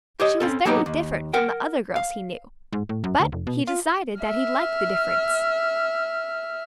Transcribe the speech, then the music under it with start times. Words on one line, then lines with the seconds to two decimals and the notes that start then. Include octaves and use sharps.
She was very different from the other girls he knew, but he decided that he liked the difference.
0.20 G4 C5 C#5 D#5
0.40 C4 C#4 A4
0.65 F#3 A#3 B3 D#4 G4
0.86 D#2
1.33 A#4 F#5 G5
1.96 F5
2.73 G#2
2.89 A2
3.04 F#2
3.20 D2
3.32 F1
3.47 B2
3.67 F4
4.21 E5 F6